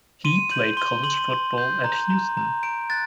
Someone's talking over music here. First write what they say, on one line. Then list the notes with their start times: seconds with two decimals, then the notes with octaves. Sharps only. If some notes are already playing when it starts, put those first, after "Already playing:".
He played college football at Houston.
0.24 C6 D#7
0.51 G6 F#7
0.77 C6 G7
1.04 C6 F#7
1.31 C6
1.58 G6
1.84 A#5
2.10 A#5
2.37 A#5
2.63 A#5 D7
2.90 F#6 A6